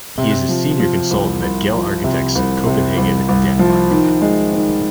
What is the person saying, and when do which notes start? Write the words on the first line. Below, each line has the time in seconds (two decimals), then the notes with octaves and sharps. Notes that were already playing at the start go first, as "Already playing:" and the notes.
He is Senior Consultant at Gehl Architects, Copenhagen, Denmark.
0.18 C3
0.49 F3
0.80 F3
1.10 C2
1.42 C2
1.73 F3
2.04 C3
2.35 C2
2.66 C3
2.97 C2
3.28 C2
3.59 F3
3.91 D#3
4.21 G#3
4.53 D#3